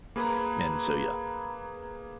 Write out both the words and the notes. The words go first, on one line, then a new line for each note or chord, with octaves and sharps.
and so, yeah.
A#3 G#4 B4 A#5 B5